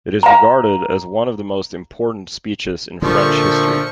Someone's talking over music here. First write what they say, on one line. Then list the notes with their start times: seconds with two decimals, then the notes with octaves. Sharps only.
It is regarded as one of the most important speeches in French history.
0.23 F5 A#5
3.02 A#2 D3 F3 A3 C5 A5 C#6